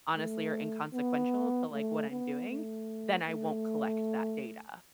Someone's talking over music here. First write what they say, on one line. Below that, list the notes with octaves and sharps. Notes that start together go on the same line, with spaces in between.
honestly are inconsequential to like what I'm doing, then I won't collect that data."
A3
B3
A3
B3
A3
A3